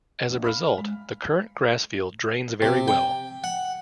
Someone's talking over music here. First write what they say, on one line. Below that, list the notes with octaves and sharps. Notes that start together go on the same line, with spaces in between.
As a result, the current grass field drains very well.
A#1
F5 B5 F6
G#3
C3
G5
F#5